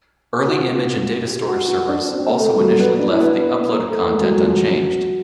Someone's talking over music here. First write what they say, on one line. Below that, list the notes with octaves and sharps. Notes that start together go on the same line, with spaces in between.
Early image and data storage servers also initially left the uploaded content unchanged.
G4
F#4
F4
F#4
G4
F#4
F#4
D4
C4
C4
A#3
A3
G3
F#3
G3
B3
D4
E4
B3
B3
A#3
A3
G#3
F#3
F#3
F3
F#3